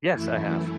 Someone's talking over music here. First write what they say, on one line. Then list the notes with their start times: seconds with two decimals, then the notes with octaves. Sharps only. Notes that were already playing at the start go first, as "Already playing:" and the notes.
Yes, I have.
0.14 F#2 E3 A3 E4